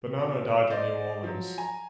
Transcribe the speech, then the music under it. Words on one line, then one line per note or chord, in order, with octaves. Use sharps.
Bonano died in New Orleans.
B2
C5 D5 D#5
F3 F#3
G#5 A#5